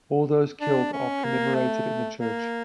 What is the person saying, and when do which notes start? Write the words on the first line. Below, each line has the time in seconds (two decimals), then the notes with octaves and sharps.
All those killed are commemorated in the church.
0.61 D4
0.93 C#4
1.24 A#3
1.55 A3
2.18 A#3